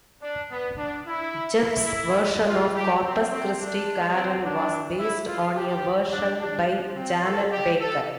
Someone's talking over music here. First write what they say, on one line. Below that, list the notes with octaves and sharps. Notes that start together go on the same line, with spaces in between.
Jeff's version of "Corpus Christi Carol" was based on a version by Janet Baker.
D4
B3
D4
E4
E4
F4
G4
C4
C4
D4
C4
D4
E4
F4
G4
D4
D4
C4
A4
G4
A4